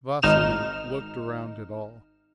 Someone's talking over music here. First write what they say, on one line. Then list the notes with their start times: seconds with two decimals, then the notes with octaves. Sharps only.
Vasily looked around at all.
0.22 G#1 D#4 F6 E7